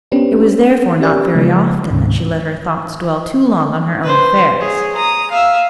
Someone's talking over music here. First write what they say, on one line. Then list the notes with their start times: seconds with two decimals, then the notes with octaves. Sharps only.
It was therefore not very often that she let her thoughts dwell too long on her own affairs.
0.12 B3 C#4 D4 G4 B4 C5
1.00 C#4 G4 A#4 D5
1.35 C#3 F3 G#3 B3
1.90 D2 G#2 C3 D#3
4.03 B4 C5
4.57 G#4 C#5
4.95 A#5 D#6
5.31 E5 F5